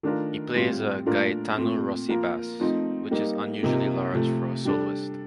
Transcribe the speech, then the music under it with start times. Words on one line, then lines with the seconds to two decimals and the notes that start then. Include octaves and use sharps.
He plays a Gaetano Rossi bass, which is unusually large for a soloist.
0.03 D#3 A3 D4 F4 A#4
0.55 A2 G3 C4 F4
1.06 A#2 A3 D4 F4 A#4
1.57 A#2 A3 C4
2.08 F3 A#3 F4 A#4
2.60 F3 A3 C4 D#4
3.11 G3 A#3 D#4
3.63 C3 F3 A#3 D#4
4.14 C3 F3 A3
4.65 G3 D4 A4